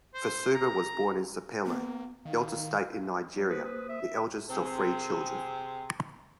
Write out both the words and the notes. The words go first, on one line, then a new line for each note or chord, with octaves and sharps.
Fasuba was born in Sapele, Delta State in Nigeria, the eldest of three children.
C5
A#5
A#3 B3
D#3 F5
F#3
A#3 B4 C5 D#6
B4
E5
C3 C4 G#4